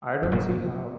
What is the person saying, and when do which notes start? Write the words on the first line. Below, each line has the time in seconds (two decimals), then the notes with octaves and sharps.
I don't see how.
0.23 F#2
0.32 A#2